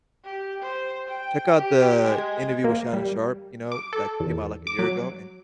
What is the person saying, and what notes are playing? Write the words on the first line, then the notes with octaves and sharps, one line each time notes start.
check out the interview with Shannon Sharpe, you know, that came out, like, a year ago, and
G4
C5
G5
G4
G#3
A#3
G3
D6
A4
E2
D6
F#3